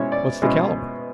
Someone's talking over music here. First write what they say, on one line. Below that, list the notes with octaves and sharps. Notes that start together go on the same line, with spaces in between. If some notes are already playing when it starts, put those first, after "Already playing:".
"What's the calibre?"
Already playing: B2 G#3 C#4 E4 C#5
D5
B2 G#3 C#4 E4